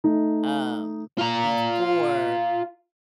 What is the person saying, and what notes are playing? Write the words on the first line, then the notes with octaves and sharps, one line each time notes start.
Um, before
A3 D#4
F4 A#5